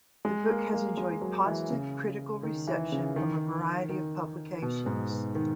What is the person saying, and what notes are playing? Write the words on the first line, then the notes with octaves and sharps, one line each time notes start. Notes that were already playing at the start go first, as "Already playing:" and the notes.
The book has enjoyed positive critical reception from a variety of publications.
G#3
A#3
A#3
G#3
F#3
E3
C#3
D#3
E3
C#3
D#3
D#3
B2
G#2
B2
D#3